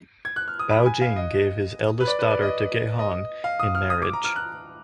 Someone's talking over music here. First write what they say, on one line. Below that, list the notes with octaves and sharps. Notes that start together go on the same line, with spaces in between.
Bao Jing gave his eldest daughter to Ge Hong in marriage.
G#6
F#6
F6
D#6
B5
G#5
F5
D#5
B4
D5
B4
D5
D#5
D#5
F5
D#6
F6
D#6
D6
A#5
F6
F#6